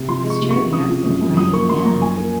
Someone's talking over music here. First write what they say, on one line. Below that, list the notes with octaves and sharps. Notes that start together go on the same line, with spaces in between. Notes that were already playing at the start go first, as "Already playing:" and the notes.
That's true, you're absolutely right, yeah.
Already playing: C3
F3 C6
G#3
C#6
C3
C#6
C3
C#3 D#6
F3
F#2
F#2
F3 D#6
A#3 C#6
F#2 C6
F#2 A#5
F3 G#5
A#3